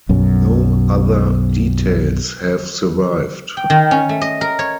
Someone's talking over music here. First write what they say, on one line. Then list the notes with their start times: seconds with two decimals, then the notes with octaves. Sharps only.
No other details have survived.
0.09 B1 F#2
3.57 G5
3.70 D#3
3.91 C#4
4.09 A3
4.22 D#5
4.41 A#4
4.59 C#5